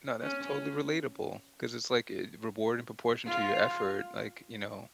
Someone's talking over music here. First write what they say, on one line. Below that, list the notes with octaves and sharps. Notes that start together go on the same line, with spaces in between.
No, that's totally relatable 'cause it's like, eh, a reward in proportion to your effort, like, you know?
C#4
F4